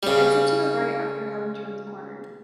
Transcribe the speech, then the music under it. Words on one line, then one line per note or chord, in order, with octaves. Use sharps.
They exit to the right after having turned the corner.
C#3 G3